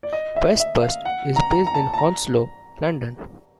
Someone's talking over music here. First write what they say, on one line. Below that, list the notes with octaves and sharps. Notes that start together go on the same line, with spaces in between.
Westbus is based in Hounslow, London.
D5
D#5
E5
E5
F5
F#5
A#5
A#5
A#5
A5
A5
A#5